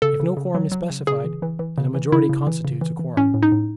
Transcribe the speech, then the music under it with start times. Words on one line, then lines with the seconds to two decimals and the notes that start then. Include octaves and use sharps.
If no quorum is specified, then a majority constitutes a quorum.
0.02 C#3 A4
0.20 C#3
0.37 C#3
0.55 F#3
0.72 F#3
0.90 C#3
1.07 C#3 G#4
1.24 E3
1.42 E3
1.59 E3
1.78 C#3
1.95 E3
2.12 C#3 E4
2.29 C#3
2.47 E3
2.65 C#3
2.81 E3
2.99 E3
3.17 A2 C#4
3.34 A2
3.43 D#4
3.52 A2